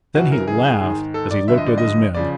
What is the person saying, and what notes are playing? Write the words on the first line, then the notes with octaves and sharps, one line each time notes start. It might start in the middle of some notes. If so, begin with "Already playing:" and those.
Then he laughed as he looked at his men.
F#2 C#3 E3 F#4
A#4
G#4
G#2 D#3
A4
D5
G2 D3 F3 E5
D#5
D5
D#5
C#3 F3 D5